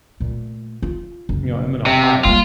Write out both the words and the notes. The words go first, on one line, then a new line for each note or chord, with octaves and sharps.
you know, I'm in Ohio.
A#2 A3
F4
F#1
C3
G3 A#3 F4